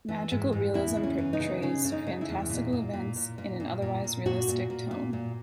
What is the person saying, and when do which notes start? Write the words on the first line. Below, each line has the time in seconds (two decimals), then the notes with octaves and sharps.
Magical realism portrays fantastical events in an otherwise realistic tone.
0.09 E3
0.31 G#2
0.53 G#2
0.74 E2 E4
0.96 C#3
1.03 C#4
1.18 E3
1.33 D#4
1.40 C#3
1.62 C#3 C#4
1.85 C#3
1.92 D#4
2.07 C#3
2.21 E4
2.29 E2
2.50 A#2
2.73 A#2
2.93 A#2
3.16 A#2
3.38 A#2
3.60 A#2
3.82 A#2
4.04 A#2
4.26 A#2 F#4
4.48 A#2
4.70 A#2
4.91 A#2
5.13 A#2